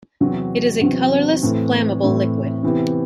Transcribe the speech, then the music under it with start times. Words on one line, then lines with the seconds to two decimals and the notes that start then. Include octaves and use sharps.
It is a colorless, flammable liquid.
0.20 E2 C3 F#3 C4
0.81 E2 C3 F#3 C4
1.42 A2 E3 A3 C4 E4
2.03 A2 E3 A3 C4 E4
2.63 C3 E3 B3 E4 G4